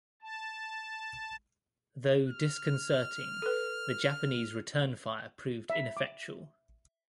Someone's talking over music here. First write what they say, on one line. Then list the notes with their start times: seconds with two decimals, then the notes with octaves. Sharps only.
Though disconcerting, the Japanese return fire proved ineffectual.
0.22 A5
2.29 F6
3.42 A4 B4
5.70 E5
5.97 D6